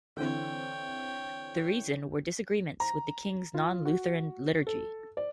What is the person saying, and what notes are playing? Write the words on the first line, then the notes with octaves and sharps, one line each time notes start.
The reason were disagreements with the King's non-Lutheran liturgy.
D3 E3 C4 C#5 G5
A#5
F4
F#4
A4
D5